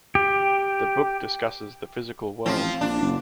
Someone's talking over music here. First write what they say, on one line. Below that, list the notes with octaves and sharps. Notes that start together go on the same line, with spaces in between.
The book discusses the physical world.
G4
A1 F3 C4
A#1 D4
F#1